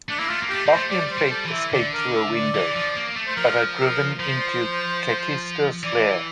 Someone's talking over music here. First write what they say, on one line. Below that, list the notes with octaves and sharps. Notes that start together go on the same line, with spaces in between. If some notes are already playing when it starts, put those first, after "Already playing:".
Buffy and Faith escape through a window, but are driven into Kakistos lair.
A3 D4
A#3 E4
A3 F4
A#3
A3 G4
A#3 C5
A3
G3 D5
C5
G3
A4
E3
E5
D3 D5
A#4
E5
D5
E3
F3
A#3
A3
C5
F3 A#4
A#4
F3 C5
E3 D5